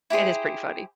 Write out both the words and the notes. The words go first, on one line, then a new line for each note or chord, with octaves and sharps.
It is pretty funny.
E4 G4 G#4 C5